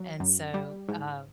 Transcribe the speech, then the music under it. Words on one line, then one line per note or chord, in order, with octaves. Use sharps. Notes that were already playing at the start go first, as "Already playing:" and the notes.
And so, uh,
Already playing: F#3
F#2
G3
G#2